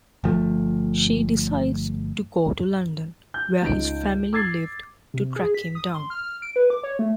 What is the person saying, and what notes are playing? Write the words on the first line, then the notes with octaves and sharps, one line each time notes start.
She decides to go to London, where his family lived, to track him down.
G1 F3 A3
G6
C#2 D#4 D7
D6 E6 G#6 A6 C7
C3
G#4
B6
D#6
C6
F6
F6
D7
B4
D6
C#5
A3